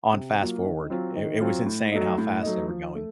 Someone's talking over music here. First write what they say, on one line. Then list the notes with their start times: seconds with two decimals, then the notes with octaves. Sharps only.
on fast forward. It it was insane how fast they were going.
0.13 C3
0.39 F#3 A#3 F4
0.65 D#3
0.90 F#3 C4 F4
1.16 D#3
1.41 F#3 C4 F4
1.66 A2
1.92 F#3 A3 D#4
2.18 A2
2.43 F#3 A3 D#4
2.69 F3
2.95 A3